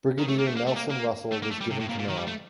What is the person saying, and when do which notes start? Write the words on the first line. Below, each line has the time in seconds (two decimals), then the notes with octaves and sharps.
Brigadier Nelson Russell was given command.
0.19 D#3
0.29 A3
0.39 A#3
0.47 A3
0.57 A#3
0.67 A3
0.76 A#3
0.90 A#3
1.32 A3
1.43 A#3
1.51 A3
1.61 G3
1.71 C3
1.80 A2
1.89 A#2
1.99 A#2
2.09 D#3
2.17 G3
2.27 A3